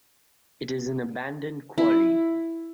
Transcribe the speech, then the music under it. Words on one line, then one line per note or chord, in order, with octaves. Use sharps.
It is an abandoned Quarry.
E4